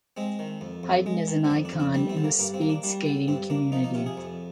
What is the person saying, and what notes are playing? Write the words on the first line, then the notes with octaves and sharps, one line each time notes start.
Heiden is an icon in the speed skating community.
G#3 C4
D#3
F2
F2
G#3
D#3
C4
F2 D4
D4
F2
D4
G3 C4
C4
D3
A#3
G2 A#3
C4
A#3
D4
G3 D4
D3
G2 C4
A#3 D4
F3 D#4
D#4
C3 F4
G#4
F2